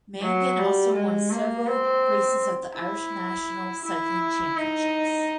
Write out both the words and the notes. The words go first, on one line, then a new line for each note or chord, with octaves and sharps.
Mangan also won several races at the Irish National Cycling Championships.
F#3
G3
G#3
A#3
C4
E4
E4
D#4